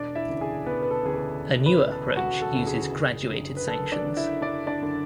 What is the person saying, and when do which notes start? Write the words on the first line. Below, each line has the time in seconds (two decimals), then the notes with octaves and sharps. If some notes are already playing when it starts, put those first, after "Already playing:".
A newer approach uses graduated sanctions.
Already playing: E1 D4 D5
0.15 E4 E5
0.29 D2 C#3 E3
0.41 G#4 G#5
0.66 E1 B3 B4
0.82 B4
0.91 A4
1.03 D2 C#3 E3 G#4
1.16 A4
1.41 E1
1.66 B4 B5
1.78 D2 C#3 E3
1.91 A4 A5
2.16 E1 F#4 F#5
2.42 A4
2.54 D2 C#3 E3
2.67 G#4
2.91 F#1
3.30 F#2 D3
3.57 B4
3.67 F#1 A4
3.92 D4 D5
4.05 F#2 D3
4.17 E4 E5
4.42 F#1 D4 D5
4.67 D4 D5
4.80 F#2 D3